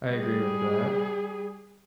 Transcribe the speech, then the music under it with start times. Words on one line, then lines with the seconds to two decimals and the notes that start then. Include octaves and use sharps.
I agree with that.
0.11 G3 G#4